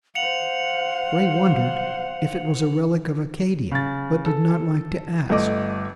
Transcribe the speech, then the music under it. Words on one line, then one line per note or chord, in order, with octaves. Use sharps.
Ray wondered if it was a relic of Acadia, but did not like to ask.
C5 F5 F#5 C#7 F7 F#7
C#3 A6
A4
G1 A3 D#5 D6